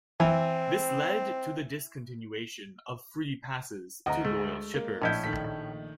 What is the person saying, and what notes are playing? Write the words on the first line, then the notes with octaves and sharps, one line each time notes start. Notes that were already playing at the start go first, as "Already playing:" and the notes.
This led to the discontinuation of free passes to loyal shippers.
E3 C4
D2 D#5 F#5 A#5
G#3 A3
A#3
A#1 A2 C#4 E4 D#5 G6
D#3 A3 B6